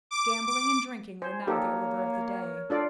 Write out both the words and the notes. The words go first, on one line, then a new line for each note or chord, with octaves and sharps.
Gambling and drinking were now the order of the day.
D6
D6
C5 G#5
A#3 D#4 G4 A4 A#4 C#5
D4 F4 A4 D5